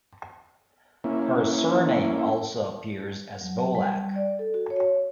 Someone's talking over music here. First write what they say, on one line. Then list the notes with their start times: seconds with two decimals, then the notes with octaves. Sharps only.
Her surname also appears as Volach.
1.04 A#3 C#4 E4
3.41 F#3
3.75 G3
4.16 D5
4.39 A4
4.54 F#4
4.70 C#5